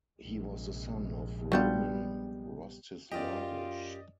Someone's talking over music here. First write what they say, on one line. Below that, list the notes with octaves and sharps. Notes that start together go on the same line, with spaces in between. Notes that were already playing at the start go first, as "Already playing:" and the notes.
He was the son of Roman Rostislavich.
A#1 C3 G#3
F#3 G3 B3 D4 F4 G6
F#2 F4 G4 D5 D#5 G5